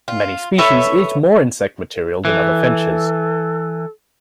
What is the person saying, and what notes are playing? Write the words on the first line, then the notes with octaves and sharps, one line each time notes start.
Many species eat more insect material than other finches.
F4
A4 B4 C#5 E5
E3 A4